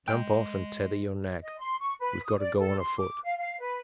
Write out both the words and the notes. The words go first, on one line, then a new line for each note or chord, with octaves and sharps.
Jump off and tether your nag. We've got to go on afoot.
G#3 G5
D#5
C6
C#6
B4
D#6
D5
A4
C6
D6
F5
F5
B4